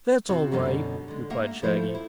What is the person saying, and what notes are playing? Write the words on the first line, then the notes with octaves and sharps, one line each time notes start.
"That's all right," replied Shaggy.
C3 C4 E4 F#4
F#2 B2 D3 G3 C#4 D#4
D3 G#3
G3 A#3 E5 F#5
F3 G3 A3 E4 A4 C5
E4